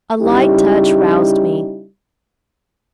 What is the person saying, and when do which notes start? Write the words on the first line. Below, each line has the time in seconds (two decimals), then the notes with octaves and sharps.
A light touch roused me.
0.22 C#3 G3 C#4 D#4 E4 G4